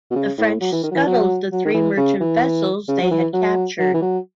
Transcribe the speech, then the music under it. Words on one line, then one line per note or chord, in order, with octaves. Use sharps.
The French scuttled the three merchant vessels they had captured.
B2
C#3
A2
F#3
E3
D#3
F#3
E3
F#3
F#3
D#3
E3
C#3
E3
C#3
F#3
E3
F#3
F#3
E3
F#3